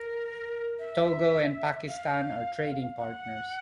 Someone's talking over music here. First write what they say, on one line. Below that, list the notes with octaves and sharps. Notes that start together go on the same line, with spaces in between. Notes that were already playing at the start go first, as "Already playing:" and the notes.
Togo and Pakistan are trading partners.
Already playing: A#4
E5
F5
F#5